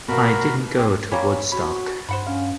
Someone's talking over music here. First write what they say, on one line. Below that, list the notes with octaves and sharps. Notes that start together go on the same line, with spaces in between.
I didn't go to Woodstock.
B2 A#3 F#4 A#4 B5
C4 G4 G#4
G3 A#3 C#5 G#5 B5
C#4 F#4 B5
G2 C5 F#5 B5
C#4 F5